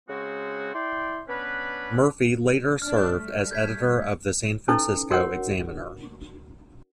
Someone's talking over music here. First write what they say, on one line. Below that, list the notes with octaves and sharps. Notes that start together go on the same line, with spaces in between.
Murphy later served as editor of the "San Francisco Examiner".
C#3 G#3 C4 F#4
E4 D5 G5 C6
B3 C#4 D4 B4
D4 F6
G3 A3
G6 G#6 B6
C#4 D#4 E4 A4 B4
F#4 A#4 C#5 F#5